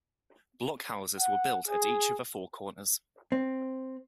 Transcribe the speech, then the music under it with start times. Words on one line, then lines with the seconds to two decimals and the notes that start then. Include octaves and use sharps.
Blockhouses were built at each of the four corners.
1.20 F#5
1.68 G#4
3.32 C4